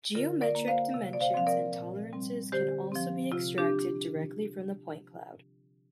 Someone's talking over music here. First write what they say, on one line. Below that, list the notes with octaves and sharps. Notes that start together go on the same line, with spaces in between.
Geometric dimensions and tolerances can also be extracted directly from the point cloud.
D3 F4 A#4
A#4 D5
A#3
C5 F5
C3
D5
C5 F5
F3 C4 F5
A#4 D5
A#2
G3 C4
D3 G4 C5
F3 C4
C3 F4
D4 G4